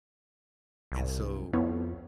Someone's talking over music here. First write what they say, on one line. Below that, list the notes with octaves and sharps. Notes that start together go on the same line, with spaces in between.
And so,
C2
F2 B3 E4 C#5